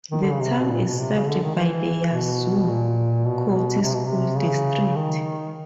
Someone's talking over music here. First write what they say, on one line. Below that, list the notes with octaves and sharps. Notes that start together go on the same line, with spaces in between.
The town is served by the Yazoo County School District.
D#3
D3
C#3
C3
B2
A#2
B2
C3
C#3
D3
D#3
E3
B2
A#2
B2
C3
B2
C3
C#3
D#3